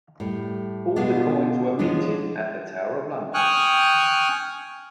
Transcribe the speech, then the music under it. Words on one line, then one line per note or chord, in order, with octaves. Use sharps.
All the coins were minted at the Tower of London.
A2 G3
B2 G#3 B3 D4 F4
F3 G#3 C#4 D4 F4
G5 G#5 C#6 D#6 F6 F#6